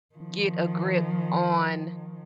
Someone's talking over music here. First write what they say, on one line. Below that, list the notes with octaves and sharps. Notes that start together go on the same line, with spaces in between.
get a grip on
D#3 F3